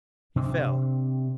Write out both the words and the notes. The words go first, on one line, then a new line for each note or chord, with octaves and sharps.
He fell.
C3 C4 D4